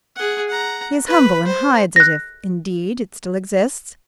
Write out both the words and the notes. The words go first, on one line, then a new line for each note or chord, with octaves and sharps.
He is humble and hides it, if, indeed, it still exists.
G#4 F#5
F#5 A#5
B4 B5
C5
F#6 A#6